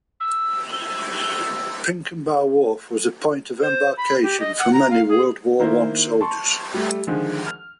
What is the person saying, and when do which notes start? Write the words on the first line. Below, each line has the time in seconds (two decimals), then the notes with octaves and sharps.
Pinkenba Wharf was the point of embarkation for many World War One soldiers.
0.20 E6
0.72 E6
3.62 C5
3.97 B5
4.23 G4
4.40 D#5
4.59 F#5
4.73 A#5
4.91 F5
5.09 G#4
5.59 D#3 A#3 E4 A#4 C5
6.21 A5 C6 C#6
6.74 G3 A3
7.07 D3 D#3 F3 G#3
7.47 F6